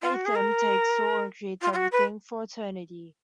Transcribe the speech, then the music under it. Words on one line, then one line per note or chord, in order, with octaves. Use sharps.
Athum takes all and creates everything, for eternity.
F4
F#4
G#4
A#4
F4
F4
F#4
B4